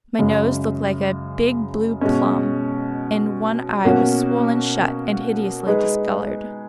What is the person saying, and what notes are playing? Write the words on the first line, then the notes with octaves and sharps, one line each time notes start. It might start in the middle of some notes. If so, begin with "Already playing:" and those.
My nose looked like a big blue plum, and one eye was swollen shut and hideously discolored.
F#2 C#3 G#3
B2 G#3 C#4
B2 A#3 C#4 F#4
G#3 D#4 G#4 B4